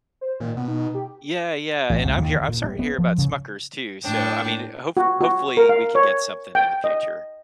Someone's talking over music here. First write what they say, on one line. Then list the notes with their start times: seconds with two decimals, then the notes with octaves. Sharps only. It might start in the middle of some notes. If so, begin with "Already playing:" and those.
Yeah, yeah, and I'm hear I'm sorry to hear about Smucker's too, so, I mean, hopef hopefully, we can get something in the future.
0.21 C5
0.40 A#2 D#3
0.57 B2 B3
0.68 D#4
0.95 G4
1.90 A1
2.06 C#2
2.18 D#2
2.35 D3
2.48 A#2
2.64 G3
2.79 B3
2.98 F3
3.18 C#3
4.02 A2 D4 G5
4.97 F#4
5.21 F#4
5.57 A#4
5.69 F5
5.95 C#5
6.55 G5
6.84 D#5